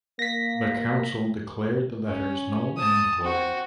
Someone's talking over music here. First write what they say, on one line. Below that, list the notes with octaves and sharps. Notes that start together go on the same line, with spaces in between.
The Council declared the letters null and void.
A#3 A#6 B6
C#4
A5 D#6
C4 F#4